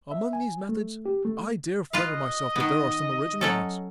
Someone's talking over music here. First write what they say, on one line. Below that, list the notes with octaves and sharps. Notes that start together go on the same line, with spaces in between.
Among these methods, I dare flatter myself that there are some original ones.
E5
G#5
A3
G4
A3
F4 B4 D#5 F5
D#3 B3
F#3 C#4 A4